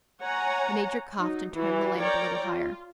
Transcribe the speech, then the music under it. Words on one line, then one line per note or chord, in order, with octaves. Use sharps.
The Major coughed and turned the lamp a little higher.
C#5 F#5 G#5 A#5
F#3 D#4
E3 F#4
A#4 C#5 D5 G5 A#5
F4